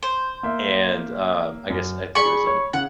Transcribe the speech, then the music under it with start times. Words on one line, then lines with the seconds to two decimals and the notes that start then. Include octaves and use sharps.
and, uh, I guess I think it was in
0.03 C5
0.43 A#3 E5
1.70 F#2
2.15 G#4 D5 B5 C#6
2.47 C#5
2.73 C#3 F#5